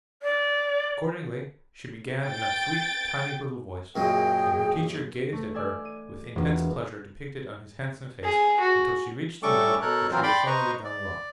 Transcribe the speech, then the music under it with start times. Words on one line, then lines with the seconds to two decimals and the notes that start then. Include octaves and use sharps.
Accordingly, she began in a sweet, tiny little voice, and her teacher gazed at her with intense pleasure depicted on his handsome face until she reached the note where she had formerly gone wrong.
0.22 D5
2.27 G5 G6 A6 D7
3.96 F#2 A#2 G#3 G#4 G5
5.33 A3
5.55 D5 G#5 E6
5.85 D#7
6.36 E1 A#3 F4
8.24 G#4
8.60 F#4
9.43 G3 A3 C#4 A4 C#6 D6
9.82 B2 A4 A#4 C#5 F#6
10.11 E3 F#3 C4 F4 A#4 C5
10.23 D5 G5 B5 C6 D6
10.47 B4 C5 D#5 A#5 C#6
10.84 D5